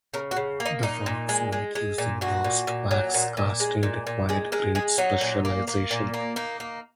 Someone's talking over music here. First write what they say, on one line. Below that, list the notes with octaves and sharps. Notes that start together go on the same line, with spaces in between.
The works made using lost-wax casting required great specialization.
C#3 A#4
F#4
C#3
A#3
D#4
A#2 D#4
A#2
G#3
G#3
G#3
A#2
A#2 F#4
A#2
A#2
F#3
A#2
A#2
G#3
A#2
A#2
G#3 G#4
G#3 A#4
G#3 G#4
F#3 D#4
A#2
A#3
A#3
A#2
A#3
A#3 D#4
A#3